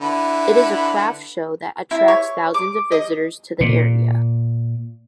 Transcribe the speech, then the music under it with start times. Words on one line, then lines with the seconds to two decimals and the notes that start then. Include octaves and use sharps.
It is a craft show that attracts thousands of visitors to the area.
0.01 D3 E4 B4
1.91 E4
2.08 C#5
2.54 D6
2.92 D#5
3.61 A#2